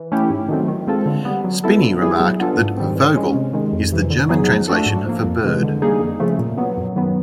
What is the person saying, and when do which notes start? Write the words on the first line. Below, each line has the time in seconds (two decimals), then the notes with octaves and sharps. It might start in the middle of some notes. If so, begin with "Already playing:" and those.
Spinney remarked that "Vogel" is the German translation for "bird".
Already playing: E3
0.12 A3 C#4 E4 G4
0.30 G#2
0.49 D#3 F#3 A3 C4
0.68 D#3
0.87 G#3 C4 F4 A4
1.06 D3
1.25 G3 B3
1.44 F#3
1.64 B3 E4 A4
1.82 D3
2.01 G3 B3 E4 G#4
2.20 F#3
2.40 B3 D4 F4 A4
2.59 G#2
2.77 D#3 G3 C4
2.96 E3
3.16 G#3 C#4
3.34 C3
3.53 D#3 G#3
3.72 F2
3.92 C3 E3
4.10 D3
4.29 F#3 B3 D#4 G#4
4.49 F3
4.68 A3 D4 F#4 A4
4.86 G#2
5.06 F3 A#3
5.24 F2
5.44 C3 E3 G#3
5.63 D3
5.82 G3 A#3 D#4 G#4
6.00 F2
6.20 C#3 F3 A3
6.39 A#2
6.58 F#3 B3
6.77 F#2
6.96 D#3 F#3 B3